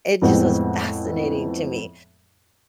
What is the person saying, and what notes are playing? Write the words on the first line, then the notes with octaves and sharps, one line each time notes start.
it just was fascinating to me.
F2 A2 G#3 B3 C4 F#5